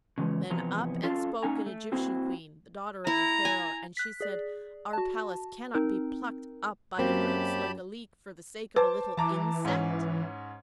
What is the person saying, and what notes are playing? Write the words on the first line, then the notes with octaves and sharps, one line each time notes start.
Then up and spoke an Egyptian Queen--the daughter of a Pharoah--and she said, 'Our Palace cannot be plucked up by the roots like a leek for the sake of a little insect.
C#3 E3 F3 G#3
C3 E3 F3 B3 A#5
C#4 F4 A4 F5
A#3 C#4 D#4 G#5 A#5
A3
A#3 C4 E4 F#4 C5
E4 A#5
G#5
F#6 B6
G#4 D5
F#4 A5
C4 D#4 A#4
F#2 F#3 A#3 C4 G4 A5 B5
B4 C5 A5 D6
E3 A5 A#5 D6
G#2 C#4